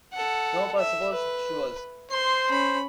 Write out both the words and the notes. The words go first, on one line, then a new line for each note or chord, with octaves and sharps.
No, but suppose she was.
A4 F#5
E5
B4
C5 C6
C#4 B5